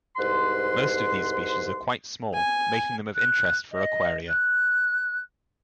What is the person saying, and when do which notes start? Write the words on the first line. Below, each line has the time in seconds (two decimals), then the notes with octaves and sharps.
Most of these species are quite small, making them of interest for aquaria.
0.17 C2 G#2 B4 C6
2.34 G#5
3.15 F#6
3.71 D#5
4.28 F#6